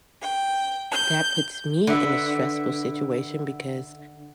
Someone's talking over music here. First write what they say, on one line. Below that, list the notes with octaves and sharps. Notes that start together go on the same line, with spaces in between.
that puts me in a stressful situation, because
G5
G6
D3 B4 E5